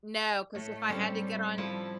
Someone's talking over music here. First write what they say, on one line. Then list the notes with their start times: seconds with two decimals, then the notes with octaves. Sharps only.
No, 'cause if I had to get on
0.55 A2 A3
0.90 G3 C4 C#4 A4
1.58 F3 E4 A5